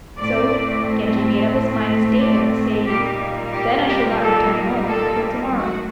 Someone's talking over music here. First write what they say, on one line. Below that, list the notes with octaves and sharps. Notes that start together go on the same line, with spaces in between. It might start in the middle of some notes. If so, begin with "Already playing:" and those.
So Genji made up his mind to stay there, saying, "Then I shall not return home till to-morrow."
A2 A3 C4 D5
D5
A#2 G3 A#3 D#4 G4
G4
G4
A4
A4
F#2 D#3 A3 F#4